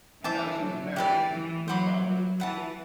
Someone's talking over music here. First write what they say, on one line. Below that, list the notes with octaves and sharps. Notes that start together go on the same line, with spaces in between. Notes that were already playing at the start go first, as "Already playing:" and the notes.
Ali was married and the father of two.
E3 C5 E5 A5 D6
F#3
E3 G4 B4 D5
E3
F#3 C5 F#5 B5 D6
F#3
E3 B4 F#5 A5